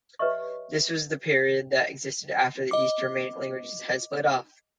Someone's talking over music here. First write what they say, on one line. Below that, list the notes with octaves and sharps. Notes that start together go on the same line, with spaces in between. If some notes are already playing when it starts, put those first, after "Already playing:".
This was the period that existed after the East Germanic languages had split off.
G4 B4 C#5 D#5 E5 C#6
D#5 D6